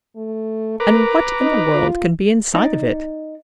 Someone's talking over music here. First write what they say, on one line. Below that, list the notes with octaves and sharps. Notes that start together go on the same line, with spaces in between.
"And what in the world can be inside of it?"
A3
A#4 B4 A#5 D6
D#4
F4
D#4 D5